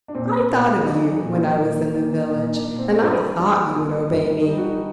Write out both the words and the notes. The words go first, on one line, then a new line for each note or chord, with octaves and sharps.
I thought of you when I was in the village, and I thought you would obey me.
D4
A#2 C4
A#2
D#4
F#3 D4
A#2
A#2
A#3
D4
A#2 D#4
D4
A#2
C4
C4
G2 D4
G2
G2
G2
G3 D#4
F#4
D#4